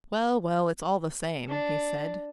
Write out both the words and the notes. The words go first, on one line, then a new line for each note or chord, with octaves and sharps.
"Well, well, it's all the same," he said.
D4